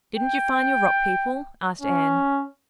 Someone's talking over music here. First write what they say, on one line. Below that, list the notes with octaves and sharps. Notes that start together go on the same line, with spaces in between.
"Didn't you find your Rock People?" asked Anne.
G5
C#4